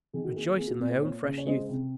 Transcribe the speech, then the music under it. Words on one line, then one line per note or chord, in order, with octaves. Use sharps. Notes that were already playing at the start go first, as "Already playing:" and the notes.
"Rejoice in thy own fresh youth!"
D#3 G#4
F#4
A#4
A#3 G#4
A#4
A#3 G#4
F#4 A#4
A#2
C5
A#3 A#4 C#5
C#3
C#5
G#3 C5 D#5
C3